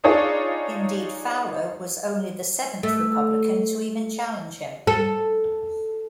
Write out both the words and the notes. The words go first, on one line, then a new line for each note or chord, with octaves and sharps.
Indeed, Fowler was only the seventh Republican to even challenge him.
D4 D#4 F4 G#4 C#5 D5
A3
A4